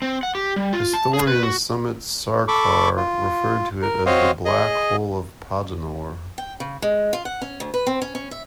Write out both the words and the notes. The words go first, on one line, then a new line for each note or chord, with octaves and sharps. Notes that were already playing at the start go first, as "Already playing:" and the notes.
Historian Sumit Sarkar referred to it as the "Black Hole of Podanur".
C4
F#5
G4
G3
F4
A5
G#4
B4
F#4
A4 B5 C#6 D6
F4
A#4
C4 F#4 C5 C#5 D#5 F5
G#4 D#5
G5
C#3
G#3
F4
F#5
C#4
D2
B4
C4
C#4
C#4
E5